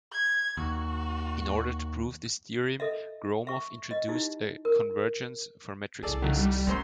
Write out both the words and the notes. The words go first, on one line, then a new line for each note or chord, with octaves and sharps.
In order to prove this theorem Gromov introduced a convergence for metric spaces.
G#6
D#2 F#4
A4 D#5 E5
E5 C#6
D#5
D#4 E4 G4
A#4
C2 D4 G#4 A4 D5
D#2 C#3 F#3 A3
G3
F#2 A3 B3 C5 C6